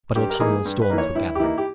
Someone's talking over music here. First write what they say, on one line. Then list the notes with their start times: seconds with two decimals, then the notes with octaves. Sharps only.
But autumnal storms were gathering.
0.15 G2 G4
0.30 A#4
0.40 E3 A#3 D#4 G#4
0.65 G2
0.82 B4
0.90 E3 A#3 D#4
0.98 C#5
1.15 G2 E4
1.35 G4
1.39 E3 A#3 D#4 E4
1.58 G4